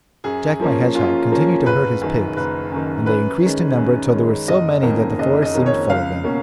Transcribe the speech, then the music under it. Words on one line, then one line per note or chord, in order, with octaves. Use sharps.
Jack my Hedgehog continued to herd his pigs, and they increased in number till there were so many that the forest seemed full of them.
F#2 G#4
F3 A#3 C#4
F#2 F4
F3 A#3 C#4
F#1 B4
F#2 D#3
F#1 B4
F#2 D#3
F#2 B4
D#3 G#3 C#4
F#2
D#3 G#3 C#4
F#1 D#5
F2 D#3 A#3 C#4
F#1 D#5
D#5
F2 D#3 A#3 C#4
C#5
C#2 F5
B2 A#3 C#4